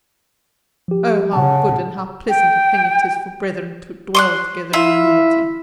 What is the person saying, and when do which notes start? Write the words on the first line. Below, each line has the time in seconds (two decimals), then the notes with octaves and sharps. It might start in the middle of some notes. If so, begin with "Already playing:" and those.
Oh, how good and how pleasant a thing it is for brethren to dwell together in unity!
0.88 F3 G4
1.33 C#3 F#5 A5
2.29 G5
4.15 C6 D6 F#6
4.73 E4 F4 E5